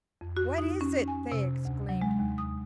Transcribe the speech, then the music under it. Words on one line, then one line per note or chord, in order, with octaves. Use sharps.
"What is it?" they exclaimed.
F2
F#4
D#4
C#4
G#5
C3
D2
F#3
G#3
D#2
D#6